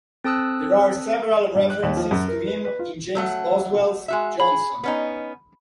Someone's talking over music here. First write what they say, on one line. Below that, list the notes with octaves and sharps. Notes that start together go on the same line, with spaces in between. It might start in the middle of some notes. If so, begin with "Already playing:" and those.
There are several references to him in James Boswell's "Johnson".
C4 A4 A5 D#6 E6 F#6
G2
F#6
D#2
F3
F#2
A#4
B4
B4
F4
F#3 A3 F#5
G#3 F#4 E5
G#4 B5
B3 C#4 D#4